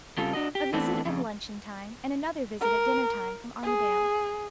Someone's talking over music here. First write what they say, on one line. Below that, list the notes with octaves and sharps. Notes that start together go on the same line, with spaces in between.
A visit at luncheon-time and another visit at dinner-time from Armadale.
C#3 G3 C4 F4 A4
D4 F#4 D#5
G4
E3 A3 B3 C4 D4
F2 C#3
A#4
G#4